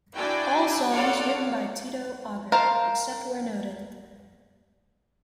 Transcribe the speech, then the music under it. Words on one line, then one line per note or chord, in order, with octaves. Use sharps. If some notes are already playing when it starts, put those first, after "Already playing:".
All songs written by Tito Auger, except where noted.
D4 E4 F#4 D5 G5 G#5
F4 A4 C#5 D5 F5 F#5
A#4 C5 F5 A5